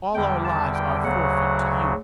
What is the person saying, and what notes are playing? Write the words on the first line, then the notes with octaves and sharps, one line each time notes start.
All our lives are forfeit to you.
E2 D3 G3 G5
A5
G5
D2 C#3 F#3 F#5